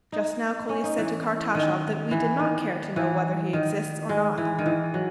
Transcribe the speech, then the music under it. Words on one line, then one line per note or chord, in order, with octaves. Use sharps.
Just now Kolya said to Kartashov that we did not care to know whether he exists or not.
D#4
C#4
D#4
E3
D#3
E3
D#3
E3
D#3
G#3
E3
D#3
E3
F#3